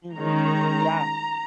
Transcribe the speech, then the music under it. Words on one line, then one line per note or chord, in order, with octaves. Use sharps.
Mhm. Yeah.
D#3 G#3 C#4 A#5